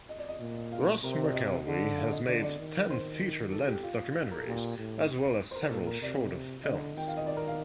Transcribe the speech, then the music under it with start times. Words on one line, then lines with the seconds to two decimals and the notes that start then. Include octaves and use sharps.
Ross McElwee has made ten feature-length documentaries as well as several shorter films.
0.09 D#5
0.18 D5
0.28 D#5
0.40 A#2
0.72 F5
1.03 C3 A#4
1.13 C5
1.23 D5
1.33 D#5
1.65 D3
1.97 F5
2.12 D#5
2.27 D3 D5
2.43 D5
2.59 D#3
2.90 C5
3.52 A4
3.67 G4
3.83 F4
4.32 A#4
4.38 A4
4.46 A#2 G4
4.78 A2
5.51 C5
5.56 A#4
5.70 A#2 A4
5.87 A#4
6.02 C3 D5
6.64 D3 D#5
6.95 D#3 G5
7.08 F5
7.17 D#5
7.26 D5
7.37 A#4
7.47 F5